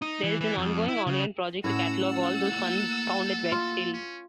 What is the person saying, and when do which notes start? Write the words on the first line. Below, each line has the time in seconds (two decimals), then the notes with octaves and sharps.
There is an ongoing, online project to catalogue all those found at West Hill.
0.02 D#4
0.24 E3
0.41 E3
0.58 F2
0.88 E4
1.07 C#3
1.64 A2 C#4 F#4 C#5 F#5 E6
2.13 A4
2.56 A#3
3.52 F4
3.93 C#4